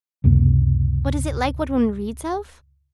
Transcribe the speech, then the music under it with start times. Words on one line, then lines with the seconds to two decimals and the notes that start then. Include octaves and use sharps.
"But is it like what one reads of?"
0.24 C#2 F#2 C3 A#3